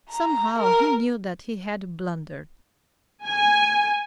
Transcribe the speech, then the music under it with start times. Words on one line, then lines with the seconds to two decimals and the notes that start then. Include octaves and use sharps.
Somehow he knew that he had blundered.
0.10 A#5
0.59 A#4
3.25 G#5